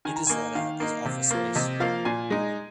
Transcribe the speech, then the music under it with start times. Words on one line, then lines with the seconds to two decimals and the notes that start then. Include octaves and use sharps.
It is let out as office space.
0.05 D#3 G#5
0.16 A#5
0.27 A#3 D#4 G#5
0.55 D#3 F5
0.80 A#3 D#4
1.05 C3
1.31 F3 A#3
1.55 C3 D#5
1.80 F3 A#3 F5
2.05 A#2 G#5
2.30 G#3 D#4